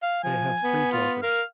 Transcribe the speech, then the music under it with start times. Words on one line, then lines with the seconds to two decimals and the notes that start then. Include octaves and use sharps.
They have three daughters.
0.03 F5
0.23 F3 G#5
0.63 B3
0.92 F4
1.23 A#4 F5